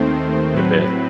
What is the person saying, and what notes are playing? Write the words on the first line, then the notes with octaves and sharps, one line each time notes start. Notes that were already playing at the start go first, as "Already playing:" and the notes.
the best.
Already playing: D#2 D#3 A3 C4 C5
A2 F#3 C4 B4